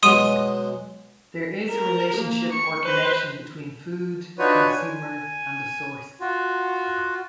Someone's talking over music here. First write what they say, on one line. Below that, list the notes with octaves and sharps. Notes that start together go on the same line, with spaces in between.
There is a relationship or connection between food, consumer, and a source.
B2 F#3 G#3 C6 D#6 D#7
A#4
A#3
C#6
B4 C5
D4 D#4 F4 F#4 B4 C#5
G#5
F4 F#4